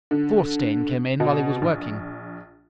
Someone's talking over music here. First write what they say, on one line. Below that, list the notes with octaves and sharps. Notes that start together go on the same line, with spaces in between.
Thorstein came in while he was working.
D3
B2
A#1